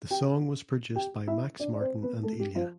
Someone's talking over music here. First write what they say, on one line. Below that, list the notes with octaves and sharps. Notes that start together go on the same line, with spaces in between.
The song was produced by Max Martin and Ilya.
G4 G5
G4 G5
E4 E5
D4 D5
D5
C4 C5
B3 B4
A3 A4
G3 G4
F3 F4